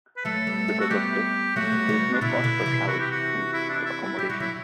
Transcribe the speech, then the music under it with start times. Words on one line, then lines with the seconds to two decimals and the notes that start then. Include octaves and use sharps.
Because of this there is no cost for travel, food, or accommodation.
0.17 B4
0.25 F#3 A3 A4
0.47 G3 B3
0.68 A3 C4
0.80 F#4
0.90 G3 B3 G4
1.56 F#3 A3 F#4
1.72 G3 B3
1.88 E3 G3
2.13 D4
2.21 B2 D3 E4
2.44 B2 D3
2.61 F#3
2.66 C3 E3
2.88 F#4
2.99 G4
3.11 F#4
3.53 E4
3.69 D4
3.86 E4
4.03 E4
4.19 F#3 G4
4.30 G3 F#4
4.40 D3 F#3 E4